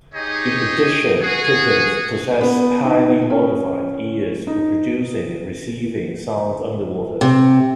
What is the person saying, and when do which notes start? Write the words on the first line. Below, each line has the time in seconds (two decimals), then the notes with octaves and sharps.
In addition, pipids possess highly modified ears for producing and receiving sound underwater.
0.14 D#4 G4 G#4 C#5 D#5
1.21 F#4 G#4
2.41 B3
2.84 D#4
3.30 C#4
4.47 D#4
7.21 C3